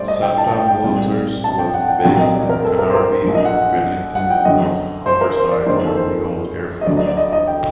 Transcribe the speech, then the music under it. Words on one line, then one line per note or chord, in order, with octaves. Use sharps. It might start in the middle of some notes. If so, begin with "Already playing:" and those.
Satra Motors was based in Carnaby, Bridlington, North Humberside on the old airfield.
Already playing: A#1 A2 G3 C5 D5
D#5
G5
A5
G5
G5
C2 A#2 G3
A5
G5
F#5
G5
C2 A#2 F#3 G5
D#5
D5
A#4
A4
A#4
C5
A#4
C5
A#1 A2 F#3
D#5
F#5
F#5
G5
F#2 D3 F#3 D#5
C5
A#4
C5
D5
F#1 F#2 D#3 C5
A#4
A4
C5
D#5
D2 D3 F#3 D5
D#5
D5
D#5
D#5
G5